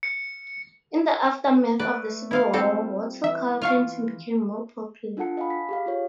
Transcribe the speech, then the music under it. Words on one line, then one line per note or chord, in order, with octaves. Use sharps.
In the aftermath of the Civil War, watercolor painting became more popular.
C#7
A3 B4 D5
E4 F4 F5
G3 C4 A4
E3 E5
F4 F5 C#6 F6
D4 F4 A4 F#5 A5 C#7
D#5 F5 G#5 B5
B6
G4 G#4 F5
F4 G#4 C#5